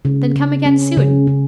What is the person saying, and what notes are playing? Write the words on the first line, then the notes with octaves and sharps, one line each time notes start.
Then come again soon.
C#3
C#3
C#4
C#3
C#3